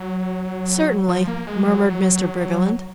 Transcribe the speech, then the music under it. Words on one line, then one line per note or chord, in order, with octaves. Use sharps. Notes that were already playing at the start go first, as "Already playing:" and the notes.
"Certainly," murmured Mr. Briggerland.
Already playing: F#3
F3
A#3
G#3
F#3